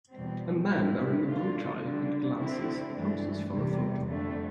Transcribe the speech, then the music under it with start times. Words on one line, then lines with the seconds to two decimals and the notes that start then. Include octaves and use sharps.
A man wearing a bowtie and glasses poses for a photo.
0.12 E2 B2 G3 C4
0.68 A2 E3 G3 C4 E4
1.24 D3 A3 D4 F4
1.81 D3 G3 D4
2.36 D3 A3 C4 E4
2.93 G2 E3 A3 D4
3.49 E2 C3 G3
4.05 F2 D3 A3